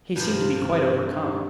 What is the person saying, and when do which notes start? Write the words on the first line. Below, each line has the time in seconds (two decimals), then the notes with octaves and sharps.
He seemed to be quite overcome.
0.16 G2 C3 F3